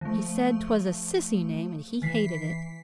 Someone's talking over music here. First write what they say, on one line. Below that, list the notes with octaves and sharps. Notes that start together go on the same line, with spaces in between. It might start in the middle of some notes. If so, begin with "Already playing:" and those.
He said 'twas a sissy name, and he hated it.
F3 A3
E3 B6 C7